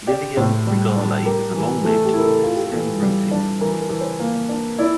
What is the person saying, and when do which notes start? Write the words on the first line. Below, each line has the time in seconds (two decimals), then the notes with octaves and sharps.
"Lilium regale" is a long-lived, stem-rooting bulbous plant.
0.07 G4 D5
0.37 A2 C5
0.67 G3
0.96 D4
1.25 G4 A#4
1.55 E3
1.84 A3 A4
2.04 G4
2.13 E4 A#4
2.23 A4
2.43 F4 A4
2.54 G4
2.66 A4
2.72 E3
3.02 G3
3.31 D4
3.61 E3 A#4
3.81 A#4
3.91 E3
4.01 C5
4.20 A#3
4.49 D4
4.79 E4 D5